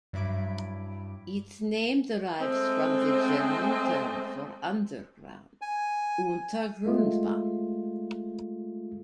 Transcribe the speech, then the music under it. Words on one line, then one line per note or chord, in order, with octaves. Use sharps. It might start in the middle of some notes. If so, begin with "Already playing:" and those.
Its name derives from the German term for underground, Untergrundbahn.
G2 F#3 E4 B5 D6 D7
G#3 A3 C4
G#5
G#3 A3 F4